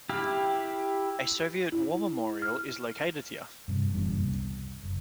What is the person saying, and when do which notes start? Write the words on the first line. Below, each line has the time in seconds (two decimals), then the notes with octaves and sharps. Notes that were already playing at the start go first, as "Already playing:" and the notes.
A Soviet War Memorial is located here.
0.09 E4 G4 F5
1.72 E4
2.42 F6
3.68 G2 C3 F#3
3.93 F#1 E2 G2 A#2
4.19 C2
4.83 F#1